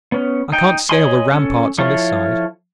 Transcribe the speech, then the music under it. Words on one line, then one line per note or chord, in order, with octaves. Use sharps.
I can't scale the ramparts on this side!'
B3 C#4
D#4 G5
C#5 D#5 G#5 B5 C6
C#4 A4
F3 E4 F4 A4 C#5